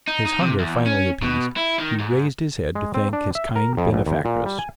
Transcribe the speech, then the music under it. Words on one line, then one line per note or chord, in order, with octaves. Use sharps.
His hunger finally appeased, he raised his head to thank his kind benefactress.
D#4
D#4
C3
E2
C#4
B2
E4
D#3
G#2
G#3
C4
D4
E5
A#4
F2
A#1
D#2
A#2
G3
G#5